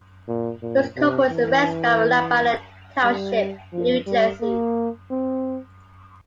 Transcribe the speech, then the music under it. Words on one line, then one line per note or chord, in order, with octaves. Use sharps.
Piscopo is a resident of Lebanon Township, New Jersey.
A#2
A#2
C3
E3
G3
F3
G3
A#3
C4